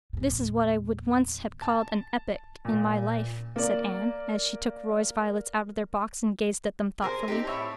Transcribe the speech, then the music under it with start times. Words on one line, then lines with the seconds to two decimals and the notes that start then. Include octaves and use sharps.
"This is what I would once have called an epoch in my life," said Anne, as she took Roy's violets out of their box and gazed at them thoughtfully.
0.13 E2 A#2
1.62 A5
2.65 A#2
3.56 A#3 D5
7.02 G#4 A#4 C5
7.28 C4 D#4 G4
7.47 A2 C#5 E5 B5